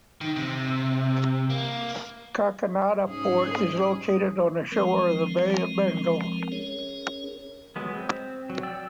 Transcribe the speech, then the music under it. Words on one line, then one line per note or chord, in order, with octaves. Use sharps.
Kakinada Port is located on the shore of Bay of Bengal.
D#3
C3
A#3
G#2 C#4 G#4
F3 G#3 C4 A#4
C#4 G#4 A#4 C#5
F#3 G#3 B3
C4
F#3
D5 G5 E6